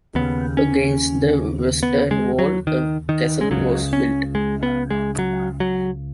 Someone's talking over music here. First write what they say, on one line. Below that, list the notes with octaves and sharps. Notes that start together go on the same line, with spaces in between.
Against the western wall, a castle was built.
D#2 C#3 B3
C#4
B3
G#3
F#3
D#3
D#3
G#3
C#2 C#3 F#3
C#4
G#3
B3
G#3
F#3
F#3